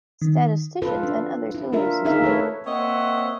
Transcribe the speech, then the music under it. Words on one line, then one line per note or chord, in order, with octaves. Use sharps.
Statisticians and others still use this form.
D#3
F4 A4 B4
D4
E4
D4 F4 A#4 E5
D#4 G#4 A#4 E5 F5
A3 A4 B4 C#5
A#3 C4 C#5 D#5 E5 F#5